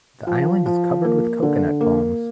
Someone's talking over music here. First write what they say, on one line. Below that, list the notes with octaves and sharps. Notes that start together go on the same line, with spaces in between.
The island is covered with coconut palms.
F3
F3
A#3
D3
A#3